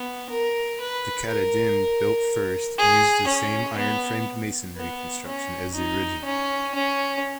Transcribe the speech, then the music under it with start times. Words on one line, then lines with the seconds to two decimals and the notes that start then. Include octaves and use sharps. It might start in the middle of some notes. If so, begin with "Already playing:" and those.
The Katahdin, built first, used the same iron framed masonry construction as the original.
Already playing: B3
0.30 A#4
0.80 B4
1.29 A#4
2.78 G#4
3.28 C#4
3.78 B3
4.77 B3
5.26 C#4
5.76 D#4
6.25 C#4
6.75 C#4